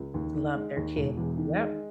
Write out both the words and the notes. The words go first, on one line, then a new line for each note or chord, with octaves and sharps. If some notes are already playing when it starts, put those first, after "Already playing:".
Love their kid. Yep.
Already playing: C#2
D#2
D#3
G#3
D#2
E1
E2
D#3
G#3